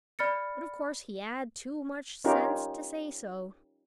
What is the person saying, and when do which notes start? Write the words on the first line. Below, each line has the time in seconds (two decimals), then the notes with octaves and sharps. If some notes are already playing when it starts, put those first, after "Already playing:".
But of course he had too much sense to say so.
0.19 D5 B5 F6 A6 C#7
2.24 C#4 D#4 F4 G4 A#4